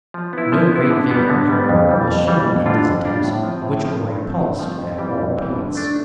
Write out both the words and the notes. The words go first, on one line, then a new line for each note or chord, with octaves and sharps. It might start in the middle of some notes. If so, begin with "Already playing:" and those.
No great vigour, however, was shown in these attempts which were repulsed at all points.
F3
B3 E4
F3
B3 E4
D3
G3 B3
D3
G3 B3
F2
E3 G3
F2
E3 G3
F2
D3 G3 D4 F4
F2
D3 G3 D4 F4
A2
F3 C4
A2
F3 C4
G2
F3 A3 C4
G2
F3 A3 C4
F2
E3 G3 C4 G4
F2
E3 G3 C4 G4
D3
A3 D4 A4